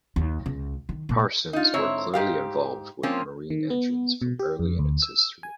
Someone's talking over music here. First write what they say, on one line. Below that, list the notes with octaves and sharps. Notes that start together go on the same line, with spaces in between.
Parsons were clearly involved with marine engines from early in its history.
D#2
C#2
D#3
A#2
D#4 F4
G#2 D3 C4 E4 C#5
G#2 G4 F5
F3 A#3 C4 C#4
D#3
B3
B2
G4
F2
D2
E6
G#5